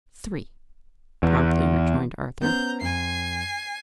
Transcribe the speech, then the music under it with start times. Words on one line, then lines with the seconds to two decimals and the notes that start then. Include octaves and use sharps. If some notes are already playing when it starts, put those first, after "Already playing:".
"Three," promptly rejoined Arthur.
1.23 E2
2.42 B3 C#4 C5 A#5 G6
2.81 F2 C4 G#5 C7